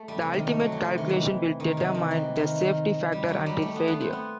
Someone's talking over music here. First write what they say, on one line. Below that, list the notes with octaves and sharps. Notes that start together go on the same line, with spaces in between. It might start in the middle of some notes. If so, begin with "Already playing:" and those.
The ultimate calculation will determine the safety factor until failure.
Already playing: A3
G3
C3
D#3
A3
F#3
E3
C3
D#3
E3
D#3
C3
D#3
E3
D#3
D#3
G3
F#3
G3
A3
B3
B3
C4
B3